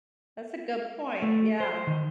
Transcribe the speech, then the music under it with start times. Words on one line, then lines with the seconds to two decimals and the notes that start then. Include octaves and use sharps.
that's a good point, yeah,
1.22 A3
1.60 C5
1.87 D#3